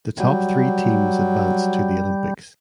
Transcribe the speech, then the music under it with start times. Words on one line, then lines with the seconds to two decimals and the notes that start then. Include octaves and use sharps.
The top three teams advanced to the Olympics.
0.20 F#3 G3